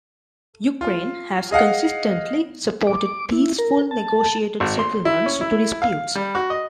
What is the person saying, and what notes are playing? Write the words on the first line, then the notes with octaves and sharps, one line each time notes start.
Ukraine has consistently supported peaceful, negotiated settlements to disputes.
F4
G#4 D#5 F5 F#5
D6
E4
A#4
A5
G#1
C6
E4
C#4
E4
F5
G3
F#4
D#5